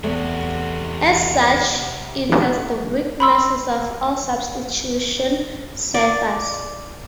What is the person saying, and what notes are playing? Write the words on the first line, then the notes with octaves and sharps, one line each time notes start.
As such, it has the weaknesses of all substitution ciphers.
E2 C3 A3 F#4
B5 C6 E6
D5